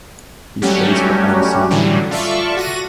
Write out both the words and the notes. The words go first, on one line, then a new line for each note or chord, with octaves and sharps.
He plays for Alessandria.
F#3 G3 A3 C#4 F#4 G4
A2 D3 E3 F#3 G3
F4 A4 D5 E5 C#6
F#4 A#6 D#7